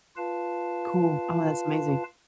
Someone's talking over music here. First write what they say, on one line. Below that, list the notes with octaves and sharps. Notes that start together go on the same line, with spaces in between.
Cool. Oh, that's amazing.
F4 B4 F5 A5